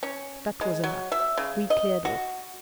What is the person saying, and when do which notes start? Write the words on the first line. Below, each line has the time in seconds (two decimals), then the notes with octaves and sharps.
That was enough: we cleared off.
0.03 C#4
0.61 G#3
0.84 F#3
1.12 E5
1.37 C#3
1.70 D#5
2.05 F#4